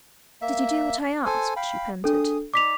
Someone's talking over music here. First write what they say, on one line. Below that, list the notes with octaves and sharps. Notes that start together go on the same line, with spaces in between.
"Did you do what I asked?" she panted.
A#3 E5
A4 C5 G#5
F5 G5 B5
D4 G#4 A4 D#6
D#4 D5 D6 B6 F7